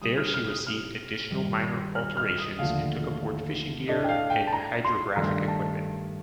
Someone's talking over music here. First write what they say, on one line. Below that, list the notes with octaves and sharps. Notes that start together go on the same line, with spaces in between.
There she received additional minor alterations and took aboard fishing gear and hydrographic equipment.
C3 G3 C4 D#6
F6
F6
D#6
F6
G2 D#3 G3
F6
F6
D#6
D#2 D3 F3 A3 F5
A2 A3 D4 D#5
G5
F5
G5
A5
A#5
C6
G2 D#3 A3 D4 A#5
A5